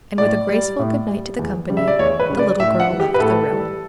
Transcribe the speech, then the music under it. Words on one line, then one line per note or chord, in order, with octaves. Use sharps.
And with a graceful good-night to the company, the little girl left the room.
A2 D5
G3
A2
G3
E2
C#3 G3
E5
D5
E2 C#5
B4
C#3 G3
D5
A2 E5
F#5
E3 G3
G4
B4
A2 A4
E3 G3